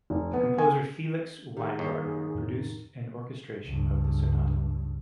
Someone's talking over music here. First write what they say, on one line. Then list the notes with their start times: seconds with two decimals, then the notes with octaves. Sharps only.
The composer Felix Weingartner produced an orchestration of the sonata.
0.10 F1
0.33 B3
0.58 G#5
1.57 D#3 G4 G#4 F#5
1.79 D#2
2.35 F2 A2
3.65 C#2 G2